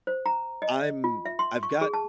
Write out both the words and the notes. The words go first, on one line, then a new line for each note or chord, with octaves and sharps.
I'm I've got
C5
A#5
D#5
F4
E5
C6
C#6
G#4
A5